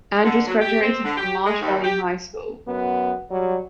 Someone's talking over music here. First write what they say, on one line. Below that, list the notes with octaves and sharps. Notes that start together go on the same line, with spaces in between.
Andrus graduated from Marsh Valley High School.
D3
F#3
G4
C4
D3
G4
G#3
D#2
G4
F#2 B3
F#3 G3